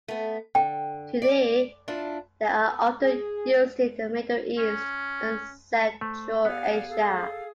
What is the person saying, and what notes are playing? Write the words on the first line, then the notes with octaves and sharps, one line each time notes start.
Today they are often used in the Middle East and Central Asia.
A3 B3
D3 G5
D5
D4 E4 F4
B3
G#4
C#4
A3 C5
B3 G4 D5 F5 F#5 G#5
G#4 A4 F5